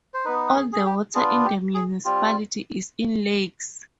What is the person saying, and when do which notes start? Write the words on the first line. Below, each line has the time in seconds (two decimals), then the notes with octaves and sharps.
All the water in the municipality is in lakes.
0.14 C5
0.25 B3 D#4 B4
0.49 B4
0.55 G#4
0.73 G#4
0.85 G4
1.15 B3 D4 F4 G#4
1.45 G4
1.74 G#4
2.05 G3 C4 F4 G4